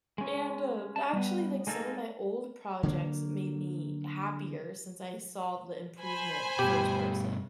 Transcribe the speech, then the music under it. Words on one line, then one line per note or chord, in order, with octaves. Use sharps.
And, uh, actually, like, some of my old projects made me happier since I saw the improvement first person,
G#3 C#4
A5
G3 B3
G#3 A#3 D#4 A4
D3 F#3 A#3
C5 G#5 B5
G2 B2 G4